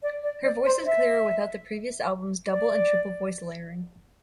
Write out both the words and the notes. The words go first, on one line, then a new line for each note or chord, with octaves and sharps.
Her voice is clearer, without the previous album's double and triple voice layering.
D5
D5
D5
C5
E5
D5